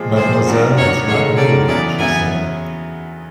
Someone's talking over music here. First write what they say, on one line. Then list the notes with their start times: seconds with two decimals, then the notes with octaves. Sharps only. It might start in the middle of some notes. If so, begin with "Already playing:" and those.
"Mademoiselle has not moved," she said.
Already playing: A#2 F3 G#3
0.16 A#2 F3 G#3 C5
0.47 D#3 F#3 B3 D4
0.77 D#3 F#3 B3 D4 C#5
1.07 D#3 G#3 C#4 F#4 A4 C#5
1.37 D#3 G#3 C#4 F#4 A4 D5
1.68 E2 C#3 F#3 B3 E4 D5
1.99 E2 C#3 F#3 B3 E4 G#5